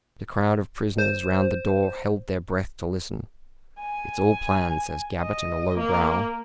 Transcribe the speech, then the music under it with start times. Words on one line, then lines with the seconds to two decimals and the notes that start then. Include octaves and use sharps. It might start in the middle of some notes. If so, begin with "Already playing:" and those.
The crowd of prisoners round the door held their breath to listen. "It's all planned," says Gabbett, in a low growl.
0.98 C5
3.80 G#5
5.18 D#5
5.78 A#3